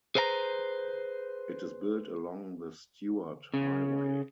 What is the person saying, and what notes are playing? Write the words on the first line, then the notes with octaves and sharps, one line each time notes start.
It is built along the Stuart Highway.
G#4 B4 C5 E5 A#5
C#3